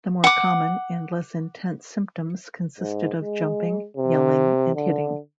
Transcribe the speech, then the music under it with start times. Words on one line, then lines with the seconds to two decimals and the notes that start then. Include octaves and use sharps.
The more common and less intense symptoms consisted of jumping, yelling, and hitting.
0.24 F#5 D6
2.80 G#2
3.20 G#3
3.97 C3
4.75 D3